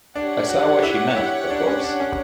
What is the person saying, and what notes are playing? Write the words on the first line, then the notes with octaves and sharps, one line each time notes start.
I saw what she meant, of course.
D4 G4 C#5 F#5
F#4
E4
E4
D4
C#4
D4
C#4